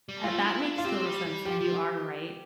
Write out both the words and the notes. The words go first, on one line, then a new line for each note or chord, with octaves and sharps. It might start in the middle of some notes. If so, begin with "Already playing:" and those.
Ah, that makes total sense. And you are right
G3
A3 F4
E4
D4
F4
C4 G4
G3
G3
F3 G4
F3